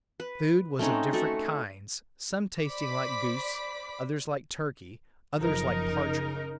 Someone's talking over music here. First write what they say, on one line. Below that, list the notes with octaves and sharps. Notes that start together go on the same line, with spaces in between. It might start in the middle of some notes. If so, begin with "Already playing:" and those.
The food was of different kinds--some tasting like goose, others like turkey, others like partridge.
B4
A3 C4 C#4 D#4
A3 F#4 A4
C5 D5 B5 D6 B6
F#1 F3 D#4 A#4
C#3